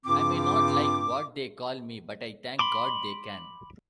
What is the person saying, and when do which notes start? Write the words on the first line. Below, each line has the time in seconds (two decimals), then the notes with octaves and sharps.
I may not like what they call me, but I thank God they can.
0.05 G2 C#3 C4 F4 D6
2.59 B5 C6 D6